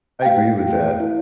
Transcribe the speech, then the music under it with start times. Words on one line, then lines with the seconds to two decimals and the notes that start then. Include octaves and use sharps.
I agree with that.
0.22 G5
0.25 A3 F5
0.62 A3
1.00 E4